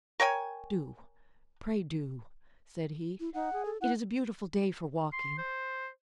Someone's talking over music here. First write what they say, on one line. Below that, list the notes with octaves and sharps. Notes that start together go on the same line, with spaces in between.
"Do, pray do," said he; "it is a beautiful day for walking."
A#4 C#5 G5 G#5
E4
D#4 F#5
G#4
A4
E4 F#5
C6
C5